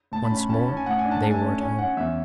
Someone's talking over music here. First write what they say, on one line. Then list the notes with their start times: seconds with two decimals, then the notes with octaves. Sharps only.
Once more they were at home.
0.12 A2 A5
0.25 B5
0.31 C#4
0.37 B5
0.49 C#4 A5
0.59 B5
0.68 C#4 A5
0.77 G#5
0.86 A2 F#5
0.99 G#5
1.04 D4
1.11 A5
1.23 A3 A5
1.31 G#5
1.35 A5
1.42 C#4
1.60 C#4 G#5
1.79 C#4 F#5
1.97 E2 E5